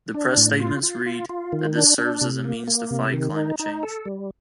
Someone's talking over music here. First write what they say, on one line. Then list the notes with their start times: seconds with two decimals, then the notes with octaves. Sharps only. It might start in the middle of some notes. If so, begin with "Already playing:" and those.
The press statements read, that this serves as a means to "fight climate change".
0.14 D4
0.37 A2
0.60 F4
0.83 F4
1.06 F4
1.29 F4
1.52 D#3
1.75 D4
1.98 D4
2.21 C3
2.44 A#3
2.68 A#3
2.91 C3
3.14 D#3
3.36 D#4
3.60 D#4
3.83 A4
4.05 G3